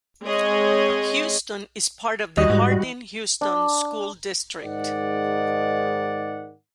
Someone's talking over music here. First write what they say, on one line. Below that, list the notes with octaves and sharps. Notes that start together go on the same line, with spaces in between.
Houston is part of the Hardin-Houston School District.
G#3 C4 G#4 C#5 D#5
D#2 E3 G3 F#4 D#5
G#2
D4
G#2 D#3 G#3 D5 F#5